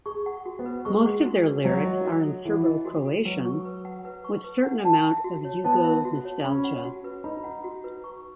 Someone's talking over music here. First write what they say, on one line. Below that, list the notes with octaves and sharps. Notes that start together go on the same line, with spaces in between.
Most of their lyrics are in Serbo-Croatian with certain amount of "yugo-nostalgia".
G#4 C#6
F#5
F#4
B3
B4
G#3 C#6
F#5
F#4
B4
F#3 F#5
D#5
F#4
A4
E3 F#5
D#5
F#4
A4
F#3 B4
C#6
B4
F#5
B4
C#6
B4
F#5
A5
E5
F#4
C#5
B3 A5
E5
F#4
C#5
C#4 B5
F#5
F#4
B4
D#4 B5
F#5
F#4
B4
C#6